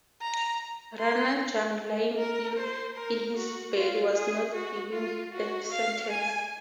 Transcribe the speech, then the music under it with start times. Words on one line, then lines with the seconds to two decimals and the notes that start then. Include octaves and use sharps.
Rana Jang lying ill in his bed was not given death sentence.
0.22 A#5
1.00 C6
2.18 A#4
2.57 C5
2.96 A#4
3.36 F#4
3.74 F4
4.14 G#4
4.53 F#4
4.92 F4
5.32 F#4
5.71 F5
6.10 G#5